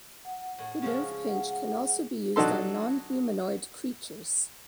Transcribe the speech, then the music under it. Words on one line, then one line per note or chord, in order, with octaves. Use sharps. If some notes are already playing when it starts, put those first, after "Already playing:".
The nerve pinch can also be used on non-humanoid creatures.
F#5
A2
C#3 F3 G#3
F#5
F#3 D4 D#4 A4 C6